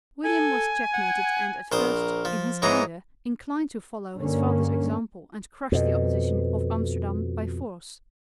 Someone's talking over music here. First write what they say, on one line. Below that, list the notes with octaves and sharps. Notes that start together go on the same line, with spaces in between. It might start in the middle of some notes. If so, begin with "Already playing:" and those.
William was checkmated and at first, in his anger, inclined to follow his father's example and crush the opposition of Amsterdam by force.
A4 G#5
F#5
A#1 A#4 C5 D#6
F3
G#2 E3 C#5 D#5 A#5
G2 D3 A#3 C#4
F2 B2